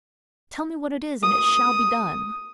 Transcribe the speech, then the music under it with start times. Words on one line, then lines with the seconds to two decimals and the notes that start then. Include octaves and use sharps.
'Tell me what it is, and it shall be done.'
1.23 D#6